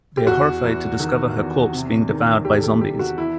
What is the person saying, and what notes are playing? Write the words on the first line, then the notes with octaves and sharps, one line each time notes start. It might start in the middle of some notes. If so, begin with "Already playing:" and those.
They are horrified to discover her corpse being devoured by zombies.
G4
E2 F#4
E2
D#3
E2
C3
D#3
E2 G4
A4
G4
E2 G4
F#4
E3 E4